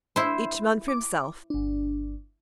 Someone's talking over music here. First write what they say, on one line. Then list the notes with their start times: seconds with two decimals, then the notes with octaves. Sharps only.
Each man for himself.
0.16 E4 C5
0.88 D6
1.50 G1 D4